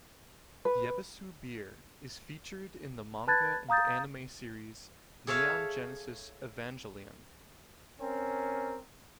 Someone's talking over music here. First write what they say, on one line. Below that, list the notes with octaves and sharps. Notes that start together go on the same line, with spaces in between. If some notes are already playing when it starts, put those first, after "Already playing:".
Yebisu Beer is featured in the manga and anime series "Neon Genesis Evangelion".
B4
B4 A5 B5 F#6 G#6 A6
F5 A#5 D#6 G6 A6
G#4 A4 C#5 E5 F5
C4 C#4 A#4